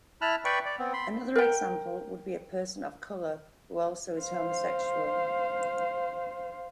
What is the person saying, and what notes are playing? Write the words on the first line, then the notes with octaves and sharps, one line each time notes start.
Another example would be a person of color who also is homosexual.
E4 A5 B5 F6 F#6
B4 D5 G5 B5 C#6
D5
B3 C4
B5 C6
A#4 G5
C5 F5